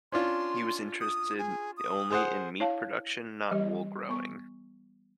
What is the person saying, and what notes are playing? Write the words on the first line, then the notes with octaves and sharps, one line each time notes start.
He was interested only in meat production, not wool growing.
C#4 D4 F4 C6
D#6
G#4
D#6
G#4 C5 F#5
D4 E4 C#5 F5 A5
E3 G3 G4 D#5
B3 C#6